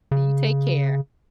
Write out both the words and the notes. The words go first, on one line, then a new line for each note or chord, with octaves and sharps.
So you take care.
C#3